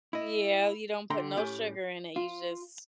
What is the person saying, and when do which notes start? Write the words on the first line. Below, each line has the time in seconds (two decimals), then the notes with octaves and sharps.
Yeah, you don't put no sugar in it, you just
0.13 E4 D#5
1.10 D3 G5 A#5 C6
1.37 A2 C#4 G4 C#5 G#5
2.16 F4